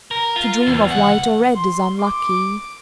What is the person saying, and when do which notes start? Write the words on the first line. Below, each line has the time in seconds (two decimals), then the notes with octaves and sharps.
To dream of white or red is unlucky.
0.11 A#4
0.36 F4
0.67 E2
0.91 C#2 F#5
1.55 C6
2.01 D6